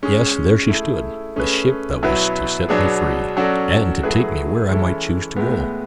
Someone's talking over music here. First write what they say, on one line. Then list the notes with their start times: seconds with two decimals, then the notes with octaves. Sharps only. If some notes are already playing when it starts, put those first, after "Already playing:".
Yes, there she stood, the ship that was to set me free, and to take me where I might choose to go.
0.03 G#3 C#4 G#4
0.68 A3 E4 G#4
1.36 A3 C#4 G#4 B4
2.03 B2 F#3 B3 E4 B4
2.69 B2 F#3 B3 D4 G#4
3.37 F#3 C#4 F#4 A4 D5
4.03 F#3 A3 E4 G#4 B4
4.70 E3 G#3 C#4 E4 A4
5.36 A2 G#3 B3